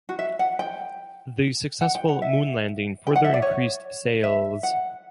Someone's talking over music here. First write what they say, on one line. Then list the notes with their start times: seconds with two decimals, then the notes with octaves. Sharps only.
The successful moon landing further increased sales.
0.09 F#4
0.19 E5
0.39 F#5
0.59 G5
1.81 F#5
1.95 G5
2.09 F#5
2.22 E5
3.07 G5
3.16 F#5
3.24 E5
3.34 D5
3.42 C#5
4.24 E5
4.63 F#5